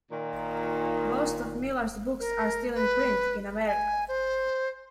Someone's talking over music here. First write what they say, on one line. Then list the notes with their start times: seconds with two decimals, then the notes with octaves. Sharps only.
Most of Millar's books are still in print in America.
0.12 A#2 D#3
2.19 A#4
2.74 B4
3.66 G#5
4.08 C5